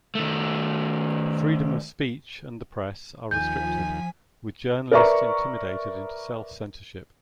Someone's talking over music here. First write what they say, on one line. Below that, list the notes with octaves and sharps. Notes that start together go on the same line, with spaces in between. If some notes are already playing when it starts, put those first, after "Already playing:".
Freedom of speech and the press are restricted, with journalists intimidated into self-censorship.
D#3 A3
D#2 F3 G#5 G6 B6
A#4 B4 D5 E5 A#5 C#6